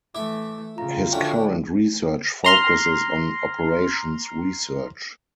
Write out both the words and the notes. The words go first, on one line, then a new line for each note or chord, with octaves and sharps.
His current research focuses on operations research.
E3 A3 E4 E5 D6
C#3 F4 A#5
D3 A3 C#4 D4 F#4 G5
A#5 C6 F6